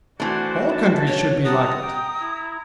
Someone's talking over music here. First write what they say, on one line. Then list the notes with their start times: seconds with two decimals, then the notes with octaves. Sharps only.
All countries should be like it!
0.20 E3 A3 D4 F#4 C5 D5 F#5
0.71 A5
1.07 C#5
1.44 G3 F#5 A5 A#5 D#6
1.83 G5 A#5
2.20 E4